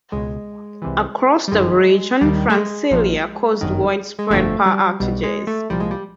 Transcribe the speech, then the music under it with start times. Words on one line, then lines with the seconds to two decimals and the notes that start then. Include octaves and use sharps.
Across the region, Francelia caused widespread power outages.
0.12 C#2 B2 G#3
0.82 C2 C3 E3
1.48 G3
1.52 G1 F#2 D#3 G#3
2.21 D#2 D#3 G3
2.50 A3
2.57 G#3
2.91 A#1 A#2 F3
3.61 G1 F#2 D#3
4.19 G#3
4.30 G1 F2 D3 F3 A3
4.66 G3
5.00 B1 B2 G3
5.23 G#3
5.47 A3
5.70 C2 A#2 F3 G3
5.80 G#3
5.91 G3